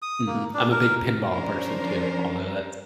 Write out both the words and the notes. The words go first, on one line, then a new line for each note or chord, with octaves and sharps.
Mhm, I'm a big pinball person too, although that's
D#6
A#3
D4
A#4
F3 C#4 D4 A#4 C5